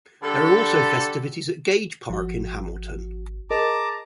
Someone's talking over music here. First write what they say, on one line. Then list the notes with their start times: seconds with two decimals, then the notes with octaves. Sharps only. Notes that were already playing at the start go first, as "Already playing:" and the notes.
There are also festivities at Gage Park in Hamilton.
0.22 D3 G3 G4 A4
2.09 G#1 F3 F#4
3.50 G#4 A#4 D#5 A5 A#5 D6